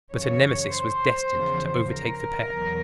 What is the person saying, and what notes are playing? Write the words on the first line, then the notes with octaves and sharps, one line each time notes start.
But a nemesis was destined to overtake the pair.
F#2 C#3 E3 C#5
C5
E2 C#3 F3
A#4
E2 B2 F#3